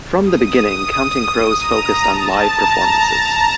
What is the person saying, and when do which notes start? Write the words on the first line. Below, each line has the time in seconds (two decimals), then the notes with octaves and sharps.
From the beginning, Counting Crows focused on live performances.
0.21 D#6
0.67 D#6
1.60 A#5
2.06 A5
2.53 A#5